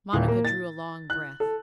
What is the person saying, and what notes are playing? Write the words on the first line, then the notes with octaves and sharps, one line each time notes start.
Monica drew a long breath.
D#1
A#3
A6
F#6
A4